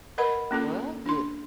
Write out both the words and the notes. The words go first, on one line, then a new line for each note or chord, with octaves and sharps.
Well, you
A#4 B4 D#5 F#5 B5
A#3 C#4 F4 A4
D4 C6